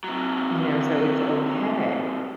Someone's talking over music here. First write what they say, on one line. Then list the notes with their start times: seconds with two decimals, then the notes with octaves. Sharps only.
You know, so it's okay.
0.04 C3 F#3